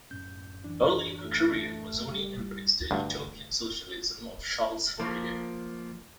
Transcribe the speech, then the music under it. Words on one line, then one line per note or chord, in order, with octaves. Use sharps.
Early in her career Mozzoni embraced the utopian socialism of Charles Fourier.
F#2 A2 C#4 G6
E3 D4
A3
G3 G4
D2 G2
F3 A#3